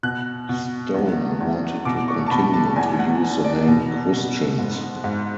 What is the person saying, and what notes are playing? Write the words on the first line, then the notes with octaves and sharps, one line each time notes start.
Stone wanted to continue to use the name Christians.
B2 F#6
B2
E2
E2
B2 D6
C#6
A5
B2 B5
A5
E2 G#5
F#5
B3
D5
B2
B2
G#2
G#2